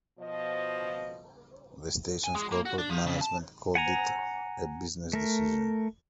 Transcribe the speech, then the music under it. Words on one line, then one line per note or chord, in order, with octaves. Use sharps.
The station's corporate management called it a business decision.
B2 F3 D#5
G#5
G#3
A#3
F#4
D4
F3
C#3
A5
F#5 G#5 A#5
A3 A#4